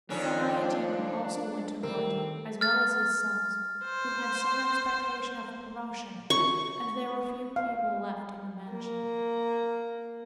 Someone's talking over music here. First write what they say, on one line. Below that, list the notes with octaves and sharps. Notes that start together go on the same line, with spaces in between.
Sadaijin also went to Court, as well as his sons, who had some expectation of promotion, and there were few people left in the mansion.
F2 D#3 F3 C#4 D4
D#3 G3 A3 C4 A#4
F6 A6
C5
C#6
F5
A#3 A#5